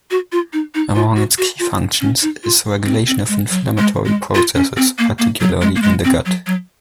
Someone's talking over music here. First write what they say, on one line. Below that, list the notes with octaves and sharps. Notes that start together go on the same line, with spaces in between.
Among its key functions is regulation of inflammatory processes, particularly in the gut.
F#4
F4
D#4
D#4
F4
F#4
F#4
F4
C#4
D#4
F4
C4
C4
G#3
F#3
G#3
G#3
F4
C#4
C4
A#3
A#3
F#3
G#3
A#3
G#3
C4
F#3
F#3